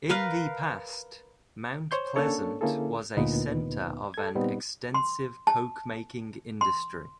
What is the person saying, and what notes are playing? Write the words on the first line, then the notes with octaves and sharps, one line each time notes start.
In the past, Mount Pleasant was a center of an extensive coke-making industry.
A#4 B4 F5
C5 C#5 C6 G6
A#3 C#4 D4 A4 C#5
D3 A#3 C#4 E4 G#4 A4
D2 A#2 B3 D#4 B4
A4 G#6
A#2 G3 B3 C4 D#4
C6
A5
C6